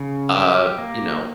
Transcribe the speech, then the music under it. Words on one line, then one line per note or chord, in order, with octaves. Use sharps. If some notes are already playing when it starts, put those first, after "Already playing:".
uh, you know,
Already playing: C#3
G4
A#3